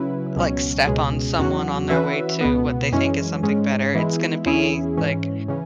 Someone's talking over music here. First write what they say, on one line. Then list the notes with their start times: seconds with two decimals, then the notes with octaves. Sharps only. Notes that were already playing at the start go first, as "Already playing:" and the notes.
like, step on someone on their way to what they think is something better. It's gonna be, like
Already playing: C#3 F#3 C#4 E4 B4
0.36 C#2 B2 F#3 C#4
0.87 C#2 B2 G#3 C#4 G#4
1.39 E2 C#3 F#3 C#4 F#4
1.90 E3 C#4 F#4 B4 E5
2.41 C#2 B2 B3
2.93 F#2 E3 G#3 C#4
3.43 G#2 G#3 C#4
3.94 E3 G#3 B3 E4
4.46 E2 E3 C#4 E4 G#4
4.97 G#2 E3 C#4
5.48 C#3 E3 C#4